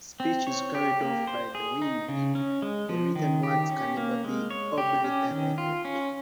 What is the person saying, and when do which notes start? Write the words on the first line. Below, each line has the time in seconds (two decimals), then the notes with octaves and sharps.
Speech is carried off by the wind; the written word can never be obliterated.
0.20 C4
0.47 C#5
0.75 G4
1.01 A#3
1.27 C5
1.55 G#4
1.82 D#4
2.08 C#3
2.35 C#4
2.62 G#3
2.89 F3
3.15 D#3
3.43 G4
3.70 C#4
3.97 A#3
4.24 G#3
4.50 C#5
4.78 G4
5.04 C#4
5.31 D#3
5.58 F4
5.85 C#4